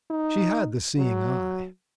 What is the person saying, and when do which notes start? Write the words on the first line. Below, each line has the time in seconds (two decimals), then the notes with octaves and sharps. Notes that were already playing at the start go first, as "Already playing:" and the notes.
She had the seeing eye.
0.10 D#4
0.97 F#3